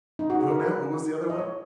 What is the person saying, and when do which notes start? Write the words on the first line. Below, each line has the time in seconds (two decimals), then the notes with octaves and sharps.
And who now? Who was the other one?
0.19 D#4
0.30 F#4
0.39 G#4
0.50 A#4
0.59 B4
1.30 D#5
1.39 C#5